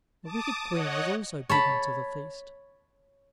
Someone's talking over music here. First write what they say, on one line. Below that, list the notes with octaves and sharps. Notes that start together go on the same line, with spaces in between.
The wicked Queen was also bidden to the feast.
A5 D6 D#6
C#5 D#5 F#5
C#5 A5 B5